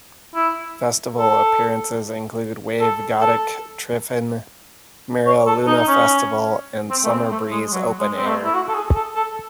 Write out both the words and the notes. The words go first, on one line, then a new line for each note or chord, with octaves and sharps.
Festival appearances include Wave-Gotik-Treffen, Mera Luna Festival, and Summer Breeze Open Air.
E4
A4
A4
A4
C#5
A4
D#4
D#4
C#4
C4
A3
C4
A3
G#3
G#3
F#3
G#3
C4
A3
E4
F#4
A4
G#4
A4
A4